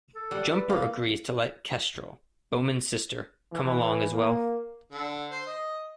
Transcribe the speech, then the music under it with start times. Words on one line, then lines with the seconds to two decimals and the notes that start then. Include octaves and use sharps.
Jumper agrees to let Kestrel, Bowman's sister, come along as well.
0.16 A4
0.31 G3 F#5
0.51 B4
0.70 A#3
3.52 E3
4.13 A#3
4.92 D3
5.31 C5
5.47 D#5